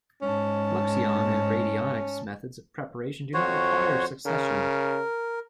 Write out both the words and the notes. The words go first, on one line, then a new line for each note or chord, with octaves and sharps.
Fluxion and radionics methods of preparation do not require succussion.
G#2 C#4 A5
F2 F#4 C5 C#5
C#3 A#4